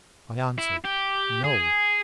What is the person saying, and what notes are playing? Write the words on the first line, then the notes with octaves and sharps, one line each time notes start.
I answered, No.
E4
G4
G#4